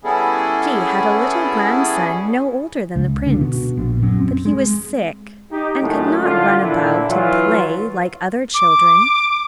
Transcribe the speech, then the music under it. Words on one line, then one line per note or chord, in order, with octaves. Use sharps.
She had a little grandson no older than the prince, but he was sick and could not run about and play like other children.
G3 B3 C#4 E4 G#4 A4
C#2
D3
B2
A#1
F#2
C4
G#3
D#4 G4
F#2 A2 D#3 F#3 G#3 A3
A2 D3 D4 F4
A#2 D3 E4
E3 F#3 F4
D6